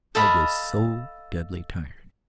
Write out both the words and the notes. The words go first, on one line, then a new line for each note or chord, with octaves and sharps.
I was so deadly tired.
A4 D#5 F5 B5